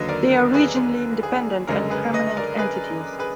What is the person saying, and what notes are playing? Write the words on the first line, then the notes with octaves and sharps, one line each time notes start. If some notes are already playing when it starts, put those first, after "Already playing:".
They are regionally independent and permanent entities.
Already playing: D#2 D3 F#3 B4 D#5
A#4 D5
A#4
G#4 B4
G#4
F#1 F#2 D3 G#3 A#4
G#4 B4
B4 D#5
A#4 D5
G#4 B4
G#4 B4